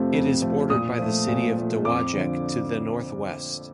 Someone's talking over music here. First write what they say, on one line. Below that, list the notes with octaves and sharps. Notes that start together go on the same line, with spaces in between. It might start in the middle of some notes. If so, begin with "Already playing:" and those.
It is bordered by the city of Dowagiac to the northwest.
Already playing: F2 C3 F3 A3
F2
C3 F3 A3
A#2 D#6
F3 A3
A#2
F3 A3
F2 D6
D3 F3